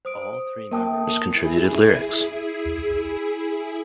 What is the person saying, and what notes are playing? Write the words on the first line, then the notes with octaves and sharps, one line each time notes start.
All three members contributed lyrics.
C5 D#6 D7
A#3 A#4 G5 A5 D#6
E4 G#4